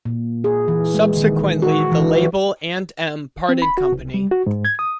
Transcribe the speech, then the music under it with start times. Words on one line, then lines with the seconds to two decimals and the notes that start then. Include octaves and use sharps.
Subsequently the label and M parted company.
0.06 A#2
0.44 G#4
0.68 E3
0.94 G#3
1.17 D#3
1.62 F#4
1.92 E3
3.49 C4
3.62 B5
3.78 F#4
3.92 C2
4.14 G3
4.31 F#4
4.47 G#2
4.65 G#6
4.79 D#6